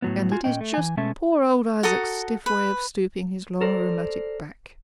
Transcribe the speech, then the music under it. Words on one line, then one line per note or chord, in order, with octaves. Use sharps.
And it is just poor old Isaac's stiff way of stooping his long rheumatic back.
A2 F#3 B3
F4 F#4 G#5
A#2 E3 C#4 D#5 G5
A3
E3 G#5
B2 G#3 A3 C#4 E5 A5
F#4 A4 A#5 D#6
B4
A4 A#4 C5 D5